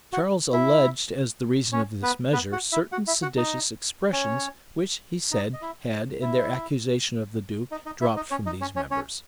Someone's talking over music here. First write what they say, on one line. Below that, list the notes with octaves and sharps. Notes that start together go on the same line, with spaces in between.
Charles alleged, as the reason of this measure, certain seditious expressions, which, he said, had, in their accusation of the duke, dropped from these members.
F#4 F#5
E4 E5
C#4 C#5
B3 B4
B3 B4
F#4 F#5
E4 E5
F#4 F#5
E4 E5
F#4 F#5
D#4 D#5
C#4 C#5
D#4 D#5
D#5
E4 E5
E4 E5
D#4 D#5
D#4 D#5
E4 E5
D#4 D#5
C#4 C#5
D#4 D#5
C#4 C#5
C#4 C#5
C#4 C#5